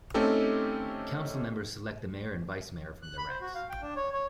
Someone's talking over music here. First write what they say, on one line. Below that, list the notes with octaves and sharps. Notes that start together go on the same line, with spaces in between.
Council members select the mayor and vice mayor from their ranks.
A3 C4 C#4 D#4 G4 A4
F#6
B5
C5
F#4
F5
G5
D4
C#5
C#5